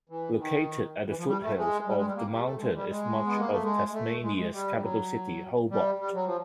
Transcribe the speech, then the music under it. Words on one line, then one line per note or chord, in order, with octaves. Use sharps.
Located at the foothills of the mountain is much of Tasmania's capital city, Hobart.
E3
D#3
E3
F3
G3
A3
G#3
G3
G#3
G3
A#3
G3
A3
G#3
G3
G#3
B3
A#3
A3
G#3
A3
G#3
G#3
G3
G3
F#3
G3
G3
F#3
F3